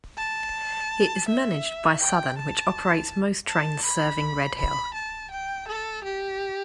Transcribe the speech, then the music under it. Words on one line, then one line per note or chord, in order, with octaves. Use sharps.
It is managed by Southern, which operates most trains serving Redhill.
A5
E5
G5
A5
A5
B5
B5
A5
G5
A4
G4